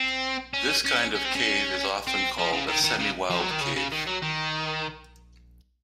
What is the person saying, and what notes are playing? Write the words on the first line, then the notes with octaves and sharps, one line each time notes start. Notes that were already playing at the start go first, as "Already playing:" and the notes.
This kind of cave is often called a semi-wild cave.
Already playing: C4
C#4
C#4
C#4
C4
C#4
C4
F3
C#3
D#3
D#3
C#3
F3
F#3
D#3
C#3
C#3
D#3
F#3
D#3